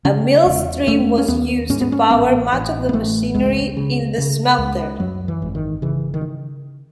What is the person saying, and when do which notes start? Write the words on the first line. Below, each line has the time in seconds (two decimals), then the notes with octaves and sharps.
A mill stream was used to power much of the machinery in the smelter.
0.05 C#3 C#4
0.45 E1
0.87 E1 A3
1.18 C#4
1.28 D#2 B3
1.70 G#2 C#4
1.81 B3
1.92 C#4
2.10 A1 B3
2.52 A1
2.89 B3
2.93 A1 A3
3.34 C#2 G#3
3.77 C#3
4.18 C#3
4.58 C#2
5.00 F#2 F#3
5.28 E3
5.42 G#1
5.55 D#3
5.82 C#3 E3
6.14 D#3